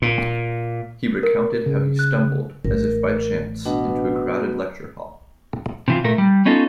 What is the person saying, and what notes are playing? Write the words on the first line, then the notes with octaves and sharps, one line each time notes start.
He recounted how he stumbled as if by chance into a crowded lecture hall.
A#2
A#4
C#3
F#6
A1 A#4
B2 D4
C3 E3 F4
A#2 A3 A#4
G3
B3 C#4 D#4 F4 A4